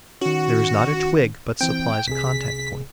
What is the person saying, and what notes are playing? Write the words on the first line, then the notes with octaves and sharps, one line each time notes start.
There is not a twig but supplies a contact-point.
D#3 C#4 F#4
E3 C4 G5
C2 C3 G#4 B6